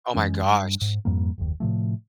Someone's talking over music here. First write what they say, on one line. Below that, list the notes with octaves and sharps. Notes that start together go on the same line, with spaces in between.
Oh my gosh.
F#2 E3 G#3 C#4
G2
G#2
F2 G#2 G3 A#3
F#1 D#2
A2 C3 F3 A3